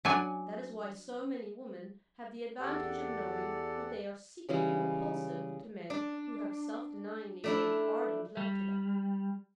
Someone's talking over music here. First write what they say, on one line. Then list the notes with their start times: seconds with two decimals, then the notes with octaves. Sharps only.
That is why so many women have the advantage of knowing that they are secretly repulsive to men who have self-denyingly made ardent love to them.
0.05 F#3 D4 G#5
2.60 E2 G4 A4 D5 F#5
4.49 C#3 E3 G3 G#3
5.90 D4
7.44 A3 D4 E4
8.37 G3